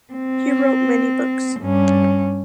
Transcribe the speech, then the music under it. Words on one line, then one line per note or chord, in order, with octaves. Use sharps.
He wrote many books.
C4
G2 C#4